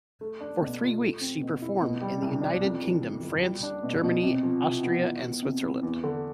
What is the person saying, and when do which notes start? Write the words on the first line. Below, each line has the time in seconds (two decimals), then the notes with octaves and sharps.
For three weeks, she performed in the United Kingdom, France, Germany, Austria and Switzerland.
0.21 A3
0.40 D4
0.61 B2
0.81 F4
1.02 A3
1.21 C4
1.42 B2
1.62 E4
1.82 B2
2.02 G3
2.22 C2
2.41 D4
2.62 F2
2.83 E3
3.03 G1
3.22 G1
3.42 G3
3.63 D4
3.83 B2
4.03 B2
4.23 C3
4.43 F3
4.63 C2
4.83 B3
5.03 E3
5.23 B3
5.43 C3
5.63 E4
5.83 E2
6.04 D3